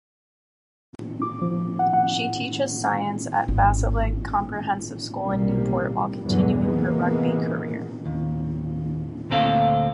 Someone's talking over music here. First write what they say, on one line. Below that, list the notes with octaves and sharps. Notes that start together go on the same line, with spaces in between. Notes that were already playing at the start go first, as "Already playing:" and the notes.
She teaches science at Bassaleg Comprehensive School in Newport while continuing her rugby career.
D6
F3
F#5
F#5
G#1
B1 C3 G3 A#3
E2 G2 B2 D3 E3 F#3
C3 E3 G#3 A#3 B3
D#2
D2 A#2 C4 A4 F5